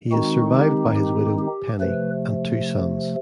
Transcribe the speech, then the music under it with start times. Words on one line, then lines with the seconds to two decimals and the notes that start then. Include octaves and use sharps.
He is survived by his widow, Penney, and two sons.
0.12 D#3 G#3 C4 D#4 F#4
0.54 G4
0.96 G4
1.39 G4
1.80 C3 F3 A3 B4